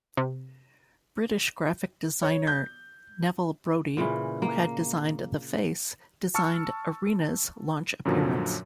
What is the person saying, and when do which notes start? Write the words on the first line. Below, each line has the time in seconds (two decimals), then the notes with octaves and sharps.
British graphic designer Neville Brody, who had designed "The Face," designed "Arena's" launch appearance.
0.17 C3
2.23 C#5
2.47 G6
3.97 A#2 C#3 E3
4.42 A#3
6.35 A5 C#6 E6 F6 C#7
8.05 F#2 A#2 D3 F3 F#3